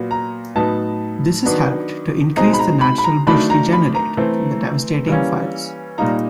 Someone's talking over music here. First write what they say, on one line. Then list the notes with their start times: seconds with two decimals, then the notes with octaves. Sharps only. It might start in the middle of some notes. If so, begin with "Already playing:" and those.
This has helped to increase the natural bush regenerate from the devastating fires.
Already playing: A#2 F#3 B3
0.11 A#5
0.56 A2 F#3 B3 D#4 A5
1.46 D#3 F#3 B3 D4
2.37 B2 G#3 C4 D#4 A#5
2.53 B5
2.59 A#5
2.81 B5
2.98 B5
3.04 A#5
3.27 D#3 F#3 A3 D4 B5
3.50 A#5
3.73 B5
3.95 A#5
4.17 E3 A3 C4
5.07 E3 G3 A#3 C#4
5.98 A#2 G3 A#3 D#4 A#5